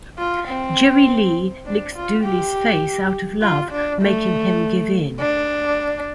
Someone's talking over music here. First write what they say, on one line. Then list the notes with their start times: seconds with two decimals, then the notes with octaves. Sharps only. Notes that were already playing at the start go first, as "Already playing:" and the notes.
Jerry Lee licks Dooley's face out of love, making him give in.
0.18 F4
0.48 C4
1.66 D4
1.96 F4
2.25 G4
3.42 F4
3.72 D4
4.02 A3
5.20 D4